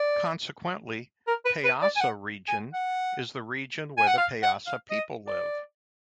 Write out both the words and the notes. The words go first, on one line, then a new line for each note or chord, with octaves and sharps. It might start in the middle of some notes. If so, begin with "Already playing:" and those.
Consequently, "Paisa Region" is the region where the Paisa people live.
Already playing: D5
A#4
B4
B4
D5
G#5
F#5
G#5
F#5
G#5
F#5
F5
F#5
F5
D#5
D5